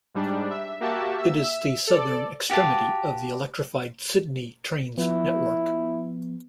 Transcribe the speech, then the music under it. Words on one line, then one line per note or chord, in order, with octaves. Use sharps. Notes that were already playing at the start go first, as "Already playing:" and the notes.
It is the southern extremity of the electrified Sydney Trains network.
G#2 G3 D4
E5
A#3 F#4 G4 E5 A5
E5 E6
A4 D5
F#4 G4 F5 A5
F3 B3 E4